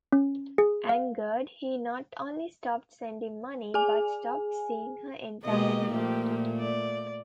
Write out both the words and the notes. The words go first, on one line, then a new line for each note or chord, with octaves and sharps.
Angered, he not only stopped sending money, but stopped seeing her entirely.
C#4
G#4
F5
G#4 G#5
B2 G#3 A#3 G4 D#5
A#2 F3 A3 G4
D5